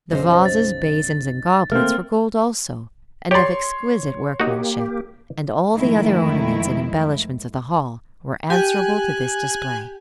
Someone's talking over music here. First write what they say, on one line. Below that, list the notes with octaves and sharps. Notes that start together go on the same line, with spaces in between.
The vases, basins, and goblets were gold also, and of exquisite workmanship, and all the other ornaments and embellishments of the hall were answerable to this display.
B1 F#2 C#3 D#4 C5
A6
D#3 A3 A#3 C4 F6
G4 C#5 D5 C6
A#3 D#4 F#4 G4
F2 G#2 D#3 A3 E4
G4 G#5 F#6